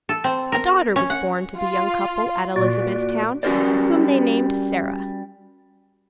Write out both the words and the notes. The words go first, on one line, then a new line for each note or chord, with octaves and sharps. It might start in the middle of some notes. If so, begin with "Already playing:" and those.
A daughter was born to the young couple at Elizabethtown, whom they named Sarah.
A4
C4
A#4
C#4
F#5
F4
A#2 F#4 D5
G3 C#4 F#4 A#4 C5 D5